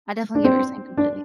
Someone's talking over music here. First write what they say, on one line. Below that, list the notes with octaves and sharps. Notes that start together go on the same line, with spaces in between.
I definitely get what you're saying completely.
D4
C4
D4